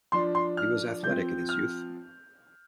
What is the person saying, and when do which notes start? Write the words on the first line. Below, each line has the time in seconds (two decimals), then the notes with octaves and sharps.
He was athletic in his youth.
0.12 F3 D4 C6
0.35 C6
0.57 F6
1.03 F3 C4 G6
1.49 F6